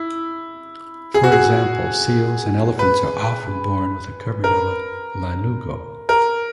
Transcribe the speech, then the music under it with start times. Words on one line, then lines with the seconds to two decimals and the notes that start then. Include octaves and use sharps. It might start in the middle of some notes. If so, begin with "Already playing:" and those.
For example, seals and elephants are often born with a covering of lanugo.
Already playing: E4
1.14 G#4
1.24 F#4
1.32 G#4
2.79 B4
4.44 A#4
6.09 A#4